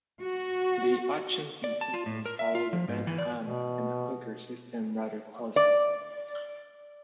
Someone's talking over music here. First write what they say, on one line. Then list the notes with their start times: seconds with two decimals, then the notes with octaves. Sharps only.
The Hutchinson system follows the Bentham and Hooker system rather closely.
0.21 F#4
1.64 D5
1.81 A5
1.94 F4
2.06 A2
2.26 A#4
2.39 E5
2.55 F4
2.73 F3
2.88 G#2
3.07 E3
3.18 D5
3.41 B2
5.56 D5